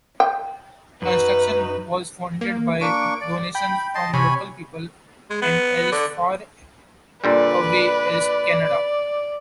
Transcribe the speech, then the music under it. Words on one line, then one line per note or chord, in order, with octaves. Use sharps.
Construction was funded by donations from local people and as far away as Canada.
G5
F#2 D#4 F#4 B4
A#3
A#3 D4 C#6 D7
D5
G5 B5
D#5 A5 C6
C3 C#5 G#5 B5
G#3
B3
D3
A#2 D3 G3 B4 D5